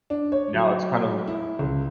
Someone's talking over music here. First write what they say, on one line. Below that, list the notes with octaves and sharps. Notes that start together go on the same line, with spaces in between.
Now, it's kind of
D4
C#5
F#3
E4
C#2